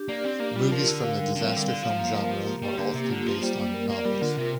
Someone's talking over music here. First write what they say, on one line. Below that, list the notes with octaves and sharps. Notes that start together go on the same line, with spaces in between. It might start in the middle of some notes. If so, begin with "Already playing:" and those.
Movies from the disaster film genre are often based on novels.
Already playing: D4 G4
A#3 D5
C4 G4
A#3 D4
G3 F4
F3 A#4
D3 A#4
F5
G3
D3 C4
F3
D3 G3
D3 F5
F3 F5
A#3
A#4
G4
A#3
G3 A#3
D3 G4
C3 A#3
D3 F4
F3 F4
G3 C5
A#3
A#4
A#3 D5
G3 A#4
D3 F4
C3 F4